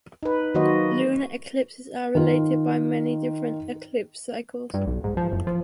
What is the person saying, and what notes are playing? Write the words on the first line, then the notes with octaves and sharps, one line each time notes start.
Lunar eclipses are related by many different eclipse cycles.
D#4 B4
D#3 F#3 A#3 F#4 C5 D#5
D#3 F4
G2
B1
G#2
F3
F#1
F3